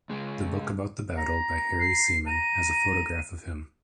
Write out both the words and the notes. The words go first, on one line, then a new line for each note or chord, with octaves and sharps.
The book about the battle by Harry Seaman has a photograph of him.
C#2 G#3
A#5
C7
A#5 D#7